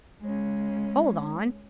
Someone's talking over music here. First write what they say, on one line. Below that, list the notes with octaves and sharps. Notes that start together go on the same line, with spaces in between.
Hold on!
G#3 C#4